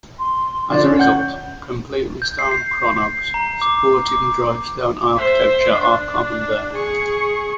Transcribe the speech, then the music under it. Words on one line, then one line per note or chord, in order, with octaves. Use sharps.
As a result, completely stone crannogs supporting drystone architecture are common there.
C6
D3 F3 D4 D5
C#4
F#5 G6
G6
C7
C7
C7
A#5
D6
D6
C5 E5
D4
G#4 C#6